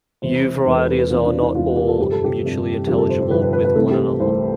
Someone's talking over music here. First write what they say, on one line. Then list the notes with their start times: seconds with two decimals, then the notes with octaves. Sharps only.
Yue varieties are not at all mutually intelligible with one another.
0.22 E1 E2 C3 C5
0.66 E1 E2 C3 B4
0.77 A4
0.88 B4
0.99 B4
1.10 E1 E2 C3 F4
1.26 D4
1.40 E4
1.54 E1 E2 C3 F4
1.76 G4
1.88 A4
1.98 G1 F2 C3 G3 G4
2.12 A4
2.24 G4
2.42 G1 F2 C3 G3
2.87 G1 F2 C3 G3 G4
2.98 A4
3.09 C5
3.21 C5
3.31 G1 F2 C3 G3 B4
3.42 B4
3.53 B4
3.65 B4
3.75 C2 C3 E3 A3 A4
3.91 G4
4.20 C2 C3 E3 A3 C5